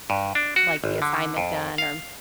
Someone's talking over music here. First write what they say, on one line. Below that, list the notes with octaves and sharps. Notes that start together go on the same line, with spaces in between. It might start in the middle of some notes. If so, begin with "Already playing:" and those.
like, the assignment done or
G2
D4
F#4
G#1
D3
F2
F5